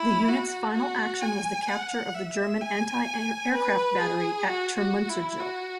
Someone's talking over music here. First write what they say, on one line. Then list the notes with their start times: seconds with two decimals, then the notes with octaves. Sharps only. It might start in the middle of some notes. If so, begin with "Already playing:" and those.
The unit's final action was the capture of the German anti-aircraft battery at Termunterzijl.
Already playing: E4
0.29 F#4
0.75 F#4
1.21 G#5
1.68 F#5
2.14 E5
2.61 G#5
3.54 B4
4.00 G#4
4.47 F#4
4.78 F#4
5.09 E4
5.40 F#4